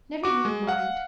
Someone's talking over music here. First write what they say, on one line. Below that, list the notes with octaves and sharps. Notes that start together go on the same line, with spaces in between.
'Never you mind.
F#4 D6
G#3
F5 F#5